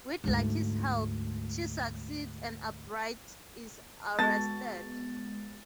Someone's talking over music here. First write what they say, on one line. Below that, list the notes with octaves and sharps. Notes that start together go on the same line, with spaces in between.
With Lucky's help, she succeeds and Albright is arrested.
D2 G#2
G#3 B3 F#4 A4 A5 A6